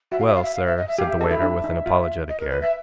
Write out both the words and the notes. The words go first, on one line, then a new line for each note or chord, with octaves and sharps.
'Well, sir,' said the waiter, with an apologetic air.
F#4 E5
F5
E5
F5
E5
F5
E5
D#5
E5
G4 F5
E5
A4 D#5
E4 E5
D4
D#4
F4
D#5
A#4
B4
E5